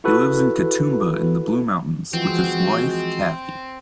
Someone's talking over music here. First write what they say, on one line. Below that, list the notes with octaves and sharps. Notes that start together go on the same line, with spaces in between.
He lives in Katoomba in the Blue Mountains with his wife, Cathie.
E4 F#4 A4 B4
E3 F3 G#3 C4 F4 F#4